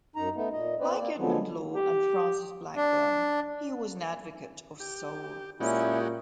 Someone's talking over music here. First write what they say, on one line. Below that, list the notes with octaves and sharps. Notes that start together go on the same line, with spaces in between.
Like Edmund Law and Francis Blackburne, he was an advocate of soul sleep.
F#2 D#4 A#5
A3 B3 D#4
A#2 D#5
B3 C4 B4 C5 D5
A#3 D5
D3 F3 F#3 G#3 B3
G4
D4
G4
A#2 G#3 C#4 E4 F#4 G4